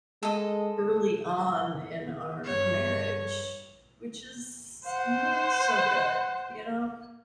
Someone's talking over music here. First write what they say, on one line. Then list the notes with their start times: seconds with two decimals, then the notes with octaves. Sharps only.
early on in our marriage, which is not so good, you know?
0.23 G#3 A4 D#5
2.45 G2 C#5
4.87 C5 F#5